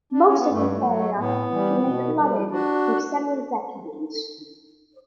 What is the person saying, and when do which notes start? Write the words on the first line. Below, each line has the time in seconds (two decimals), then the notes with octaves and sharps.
Most of the area remained flooded for several decades.
0.13 D4
0.25 C#4
0.37 B3
0.50 G2 A3
0.72 A3
0.84 F#3
0.95 A3
1.17 A2 B3
1.51 E3 G3
1.84 B2
2.17 G3
2.51 D4 F#4